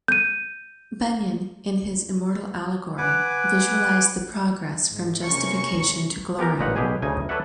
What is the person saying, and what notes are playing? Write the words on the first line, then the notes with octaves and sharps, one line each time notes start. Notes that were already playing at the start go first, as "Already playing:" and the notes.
Bunyan, in his immortal allegory, visualized the progress from justification to glory.
G6 D#7
B4 F#5 G#5 D6
G#2
C3 A#3 C#4 C#6
B3 G4 A#4 A#5
A1 A#2 D#4 B4 F#5
B1 B2 G4 G#4 G#5
D2 C#3 D#4 G#5
A4 B4 C#5 D5 E5 F#5